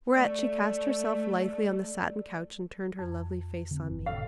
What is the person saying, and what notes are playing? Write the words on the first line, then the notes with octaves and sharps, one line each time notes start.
Whereat she cast herself lithely on the satin couch and turned her lovely face on me.
A3 D5
F2
D3 B3 C4
G1
A2 C3 A4 F5